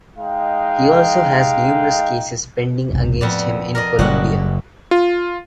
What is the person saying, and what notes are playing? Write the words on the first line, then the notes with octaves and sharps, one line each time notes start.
He also has numerous cases pending against him in Colombia.
G#3 D#4 F5 G5
E1 B1 C3
F2 A2 B3 D5
A#4 D5 D#5
F#1 G3 F#4 G4 F#5
F4